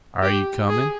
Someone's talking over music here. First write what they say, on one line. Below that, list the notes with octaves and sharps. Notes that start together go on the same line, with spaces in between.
"Are you coming?"
G4
G#4